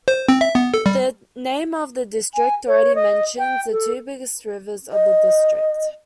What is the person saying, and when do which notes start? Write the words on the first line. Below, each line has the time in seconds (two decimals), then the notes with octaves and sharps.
The name of the district already mentions the two biggest rivers of the district.
0.08 C5
0.29 C4
0.41 E5
0.55 B3
0.74 A4
0.86 G3
2.35 G#5
2.68 C#5
2.95 D#5
3.38 G5
3.71 A4
4.92 D#5